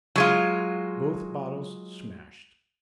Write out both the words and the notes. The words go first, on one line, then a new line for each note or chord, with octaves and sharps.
Both bottles smashed.
F#3 G#3 F4